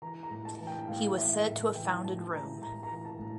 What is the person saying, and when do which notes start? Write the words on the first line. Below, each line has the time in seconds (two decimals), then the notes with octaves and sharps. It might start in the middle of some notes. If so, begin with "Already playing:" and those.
He was said to have founded Rome.
0.02 E3 A#5
0.23 A#5
0.31 A2
0.45 A5
0.60 E3
0.67 G5
0.79 G5
0.88 A2 F5
1.17 E3 E5
1.46 A2
1.75 E3 G5
2.04 A2 A5
2.33 E3 A#5
2.61 A2 A#5
2.83 A#5
2.91 E3
3.05 A5
3.19 A2